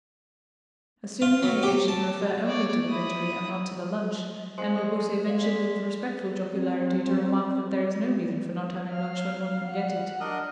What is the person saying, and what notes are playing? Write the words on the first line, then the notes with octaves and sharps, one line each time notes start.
Assuming the negation to refer only to the victory and not to the lunch, M. de Beausset ventured with respectful jocularity to remark that there is no reason for not having lunch when one can get it.
F4
F#3
G4
A5
C#5 D5
E4 D#6
G#3 C5 C7
D5 C6 D#6
D5 F5
D5 B6
C4
G3
F5 F6
F#5
D4 A#4 D#5